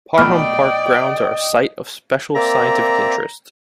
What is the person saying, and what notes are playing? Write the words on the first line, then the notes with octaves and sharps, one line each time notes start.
Parham Park grounds are a Site of Special Scientific Interest.
B1 A#2 A3 D5 D#5 G5 B5 F6
A#3 C4 D5 E5 A#5